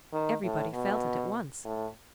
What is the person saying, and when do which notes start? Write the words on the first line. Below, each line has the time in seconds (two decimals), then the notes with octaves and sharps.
Everybody felt it at once.
0.13 D#3
0.44 A2
0.74 B2
1.65 A2